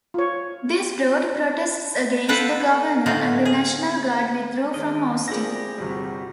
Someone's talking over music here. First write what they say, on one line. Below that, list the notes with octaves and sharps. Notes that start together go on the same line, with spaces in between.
This brought protests against the governor, and the National Guard withdrew from Austin.
F4 C#5
F4 A4 B4 C5 F#5 G5
A2 D3 F#3 D#4 F4
G#4
D#3 G#3 A#4 D#5
A#2 C4 E4 G4 G#4 A#6
G1 C3 G3 F#4